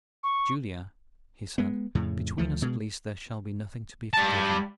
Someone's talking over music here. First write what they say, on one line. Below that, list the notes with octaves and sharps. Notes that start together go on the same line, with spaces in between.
"Julia," he said, "between us at least there shall be nothing to be forgiven."
C#6
G#3 B3
F2 A2 C#3
D2 F3 A3
B2 G#3
G3 A5